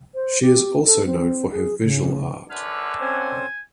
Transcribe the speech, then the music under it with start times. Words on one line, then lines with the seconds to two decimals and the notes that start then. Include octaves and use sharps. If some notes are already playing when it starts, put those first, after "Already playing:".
She is also known for her visual art.
0.15 C5
0.42 G4
0.86 A4
1.06 C4
1.52 G#4
1.84 C#3
2.50 F#2 D3 G#4 B4 F6
3.01 C4 C#4 C5 G#5